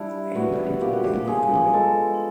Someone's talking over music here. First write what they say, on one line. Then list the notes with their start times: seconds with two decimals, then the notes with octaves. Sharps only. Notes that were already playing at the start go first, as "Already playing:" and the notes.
He married Angie Furey.
Already playing: G3 D4 E4
0.35 B3 F#4
0.81 A#2 G4
0.93 F#4
1.04 G4
1.27 F3 G#4
1.74 G#3 A4